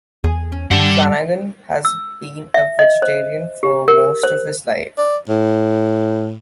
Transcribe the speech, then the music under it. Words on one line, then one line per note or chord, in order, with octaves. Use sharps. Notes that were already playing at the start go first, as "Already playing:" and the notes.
Flanagan has been a vegetarian for most of his life.
E2 G#4
C#4
G2 G3 D4 F#5
E6
E5
D#5
C5
G4
A#4
C5
D5
A2